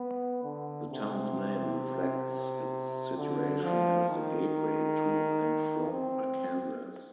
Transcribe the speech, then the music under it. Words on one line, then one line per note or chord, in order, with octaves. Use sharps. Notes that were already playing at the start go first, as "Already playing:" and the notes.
The town's name reflects its situation as the "gateway" to and from Arkansas.
Already playing: B3
D3
C3
D3
F3
D#3
C4